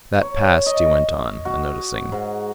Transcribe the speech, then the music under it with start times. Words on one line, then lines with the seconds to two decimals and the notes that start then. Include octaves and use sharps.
"That passed," he went on, unnoticing.
0.22 C#5
0.66 D#5
1.45 F#4
2.12 G#2